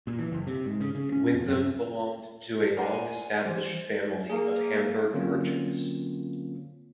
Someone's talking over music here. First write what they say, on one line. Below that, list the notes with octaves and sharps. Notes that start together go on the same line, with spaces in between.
Winthem belonged to a long-established family of Hamburg merchants.
A#2
E3
F#1
C3
G#2
C#3
C#3
C#4
F2
F#2
A#4 C5 D5 F#5 G#5 A#5
E3 G3 C5
A#3 G#4
D3 F#3 A#3 C4 C#4 F4